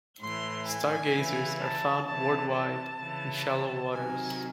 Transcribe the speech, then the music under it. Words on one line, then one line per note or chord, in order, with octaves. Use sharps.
Stargazers are found worldwide in shallow waters.
A2 E3 C6
G#5
C#3 E3
A5
C3 E3 A5
A5
C#3 E3
C3 D#3 F#3 G#5